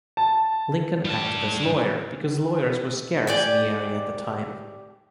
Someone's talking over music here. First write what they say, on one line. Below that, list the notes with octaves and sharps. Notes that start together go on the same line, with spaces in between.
Lincoln acted as lawyer because lawyers were scarce in the area at the time.
A5
G3 A5
G4 D5 G#5